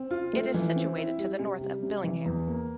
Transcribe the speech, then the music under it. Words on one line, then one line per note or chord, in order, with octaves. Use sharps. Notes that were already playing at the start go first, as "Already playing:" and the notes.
It is situated to the north of Billingham.
Already playing: C4
F4
A3
E3
C4
E4
G3
C3
G3
C3
E3
E2
A#3